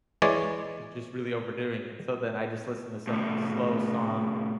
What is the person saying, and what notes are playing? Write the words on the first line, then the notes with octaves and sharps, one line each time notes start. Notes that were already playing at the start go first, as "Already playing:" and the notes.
the just really overdoing it." So, then I just listen to some slow song
E3 G#3 C#5 D5
A2 C3